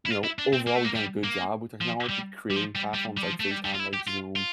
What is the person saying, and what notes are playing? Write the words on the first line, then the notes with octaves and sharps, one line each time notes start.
you know, overall, we've done a good job with technology, creating platforms like FaceTime, like Zoom,
E4
F4
E4
D4
C4
A#3
A3
A#3
G3
A#3
F3
G3
G3
F3
G3
G3
G3
F3
A3
G3
G3
F4
E4
G4
F4
F4